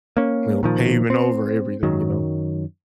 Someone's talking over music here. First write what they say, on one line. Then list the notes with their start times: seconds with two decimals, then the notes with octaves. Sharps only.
you know, paving over everything, you know?
0.17 A#3 C#4
0.63 A#2 D#3 F3
1.10 C4
1.83 F#2 D#3 F#3